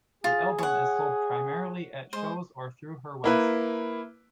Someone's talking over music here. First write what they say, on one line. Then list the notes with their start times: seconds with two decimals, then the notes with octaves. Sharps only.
The album is sold primarily at shows or through her website.
0.24 F4 G#4
0.58 C#5 F#5
2.13 G#3 C5
3.24 A#3 E4 B4